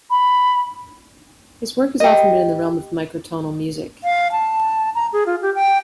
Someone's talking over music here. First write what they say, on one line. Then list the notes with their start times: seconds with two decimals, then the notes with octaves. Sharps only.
His work has often been in the realm of microtonal music.
0.11 B5
2.00 G4 D#5
4.04 F5
4.32 A5
4.95 A#5
5.13 G#4
5.26 F4
5.42 G4
5.55 G5